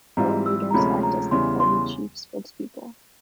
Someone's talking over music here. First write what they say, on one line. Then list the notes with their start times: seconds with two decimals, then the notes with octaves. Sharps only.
Floor leaders act as the party chief spokespeople.
0.17 G#2 E3 G3 C4 F4 A#5
0.46 E6
0.71 A#5
0.74 D2 C3 F3 G#3 C#4 B5
1.03 A#5
1.31 E2 C#3 E3 G3 C6
1.60 C6